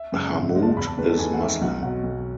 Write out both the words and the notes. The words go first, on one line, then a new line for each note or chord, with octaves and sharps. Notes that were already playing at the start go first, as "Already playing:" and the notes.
Hammoud is Muslim.
Already playing: E5
F#2 C#3 G#3
G#1 E5
F#5
F#2 C#3 G#3
A5
E2 B5
A5
D#3 G#3 B4
A4
E2 G#5
F#5
D#3 G#3 E5
B1 F#5
B2 F#3 F#5
B1